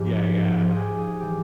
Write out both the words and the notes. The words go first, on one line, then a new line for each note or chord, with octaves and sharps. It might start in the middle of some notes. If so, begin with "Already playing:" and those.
Yeah, yeah,
Already playing: G#2 F3 G4
G#2 F3
G#4
G4
G#4
E3 G3 G4